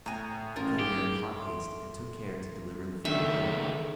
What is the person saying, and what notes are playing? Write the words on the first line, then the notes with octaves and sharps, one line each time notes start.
I came here in hot haste, and took care to deliver the fatal letter.
A2 G#5 A#5
A1 F4 A#4
D#2 G4 G#4
A4 E5 C6
C#2 D#3 D4 A4 E5